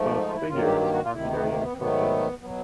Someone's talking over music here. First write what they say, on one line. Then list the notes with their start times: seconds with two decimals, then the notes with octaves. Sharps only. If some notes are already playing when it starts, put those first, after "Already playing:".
Both figures are carrying torches.
Already playing: G#2 F3 A3
0.17 D#4
0.28 F4
0.33 E4
0.49 G2 D#3 F#3 A#3 F4
0.65 G4
0.81 G4
0.92 F#4
1.02 F4
1.13 D2 C3 D#3 E4
1.23 A#3
1.29 B3
1.45 A#3
1.61 B3
1.72 C4
1.77 G#2 D#3 F#3 A3 B3
2.41 B2 F#3 B3